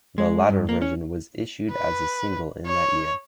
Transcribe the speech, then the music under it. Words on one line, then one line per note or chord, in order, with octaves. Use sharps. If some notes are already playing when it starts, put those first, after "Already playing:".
The latter version was issued as a single in that year.
G#3
G2
A#3
C#4
B4
C#5